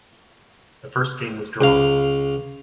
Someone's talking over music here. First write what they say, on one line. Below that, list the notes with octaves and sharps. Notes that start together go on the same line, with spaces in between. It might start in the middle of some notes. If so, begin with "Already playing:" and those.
The first game was drawn.
C#2 F5